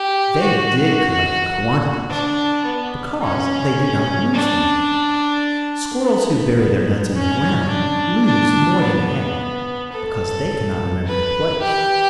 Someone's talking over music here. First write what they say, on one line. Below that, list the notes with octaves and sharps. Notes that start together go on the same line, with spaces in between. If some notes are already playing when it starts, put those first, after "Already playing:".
They did collect quantities-- because they did not lose them! Squirrels who bury their nuts in the ground lose more than half, because they cannot remember the place.
Already playing: G4
F#4
D4
B3
C#4
D4
B3
B3
C#4
D4
D4
B3
A4
B4
G4